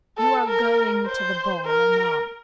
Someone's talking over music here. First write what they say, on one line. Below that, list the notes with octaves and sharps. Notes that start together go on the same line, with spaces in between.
You are going to the ball anon. . . .
A4
A#4
C5
A#4